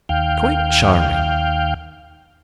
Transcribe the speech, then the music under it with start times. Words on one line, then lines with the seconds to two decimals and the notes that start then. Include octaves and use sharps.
Quite charming!
0.09 D#2 F5 G5